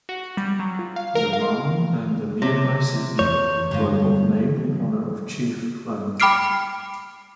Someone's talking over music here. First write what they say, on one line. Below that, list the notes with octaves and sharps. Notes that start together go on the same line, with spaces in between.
The mound and the nearby city were both named in honor of Chief Clermont.
F#4
G3
F#3
F4
F5
A#4
F5
C3 C#5 A#6
F2 E3 C#5 G6
G2 D3 G#3 F4
G5 B5 D6 F6 C7 D7